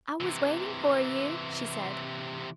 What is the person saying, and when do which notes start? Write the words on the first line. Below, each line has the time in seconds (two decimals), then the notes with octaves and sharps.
"I was waiting for you," she said.
0.21 C3 E3